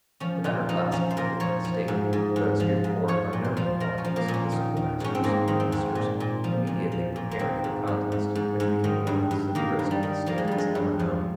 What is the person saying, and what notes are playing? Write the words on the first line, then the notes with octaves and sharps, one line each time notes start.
The better class of people in the State, those heretofore unknown in politics, the schoolmasters, the ministers, immediately prepared for the contest, which became one of the severest the State has ever known.
F3 C#4
A#2 F4
F3 D#4
F3 C#4
C5
A#2 A#4
F3 C#5
F3
G#2
G#2
G#2
F3
G#2
F3 C#5
A#2
C5
F3
F3 A#4
C#4
F3
A#3
A#2
C#4
D#3
D#3
G#2 C#4
C4
G#2 A#3
D#3
C4
G#2
A#2
A#2
F3
A#2
F3
A#2
A#3
D#3 C4
G#2
G#2
G#2
G#2
G#2
D#3
G2
G2
D#3 A#3
G2
G3
D#3
F3 A#3
G#3
G2 G3
G#3
G2
F3